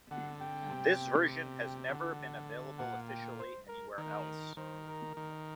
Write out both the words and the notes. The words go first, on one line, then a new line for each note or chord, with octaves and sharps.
This version has never been available officially anywhere else.
D3 F#5
G5
C3
G5
D3 F#5
A#2 F#5
G5
C5
A#4
D#3 A#4
D#3 C5
A#4
D#3